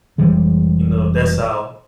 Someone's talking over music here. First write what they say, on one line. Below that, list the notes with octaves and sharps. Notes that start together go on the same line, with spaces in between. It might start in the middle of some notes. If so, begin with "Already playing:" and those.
You know, that's how
F1 E3 G3 G#3